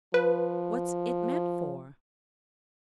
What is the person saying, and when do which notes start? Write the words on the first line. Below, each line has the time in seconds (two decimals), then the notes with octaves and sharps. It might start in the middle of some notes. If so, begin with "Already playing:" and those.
'What's it meant for?'
0.14 F3 B4